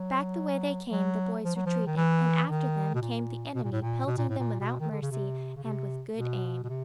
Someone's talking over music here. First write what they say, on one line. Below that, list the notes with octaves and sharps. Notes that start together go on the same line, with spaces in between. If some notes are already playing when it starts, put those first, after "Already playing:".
Back the way they came the boys retreated, and after them came the enemy pelting them without mercy and with good aim.
Already playing: F#3
F#3
F3
F#3
F3
D#3
E3
D#3
B2
A#2
B2
A#2
A2
A#2
B2
A#2
A2
A#2
B2
D#3
D3
C#3
C3
C#3
C3
B2
B2
C3